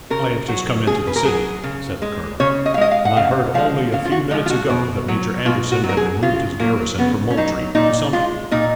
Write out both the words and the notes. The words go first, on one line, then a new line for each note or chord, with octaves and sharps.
"I have just come into the city," said the colonel, "and I heard only a few minutes ago that Major Anderson had removed his garrison from Moultrie to Sumter."
C#3 A#4
F#3 F#4
C#3 G#4
B4
A#4
F#3 G#4
C#3
G#3
C#3 C#5
D#5
F5
G#3 D#5
F5
F#5
C#3 F5
F3 G#3 F5
C#3 F5
F4
F#4
F3 G#3 D#4
F4
F#4
B2
F#3
B2 F4
F#4
F#3
A#4
G#4
C#3 F4
F#3 A#3
C#3 B3
C#4
F#3 D#4
A#2 D#4
G#3 F4
A#2 D#4